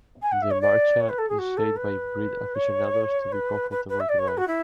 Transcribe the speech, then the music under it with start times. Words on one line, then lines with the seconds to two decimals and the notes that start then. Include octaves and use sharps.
The "marcha" is said by breed aficionados to be comfortable to ride.
0.22 G#5
0.32 F#5
0.42 E5
0.51 C#5
0.61 D5
1.00 C#5
1.09 B4
1.18 A4
1.29 G#4
1.39 F#4
1.57 A4
1.77 B4
2.55 C#5
3.32 B4
3.71 B4
3.89 B4
4.00 E5
4.09 D5
4.19 C#5
4.28 B4
4.38 F#4
4.48 E4